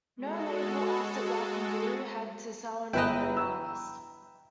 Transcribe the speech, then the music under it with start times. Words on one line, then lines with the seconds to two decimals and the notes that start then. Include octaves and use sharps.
No label after Black and Blue had to sell an unknown artist.
0.16 G#3 F#4 A4
2.93 G1 E4 B4 D#5 G5 A#5
3.37 E6